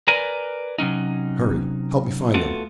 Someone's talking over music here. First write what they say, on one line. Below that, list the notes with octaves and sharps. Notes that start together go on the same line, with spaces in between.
"Hurry, help me find them."
A#4 B4 D5 G#5 A#5
C3 F#3 C#4 D#4
A3 B3 F4 F#4 A4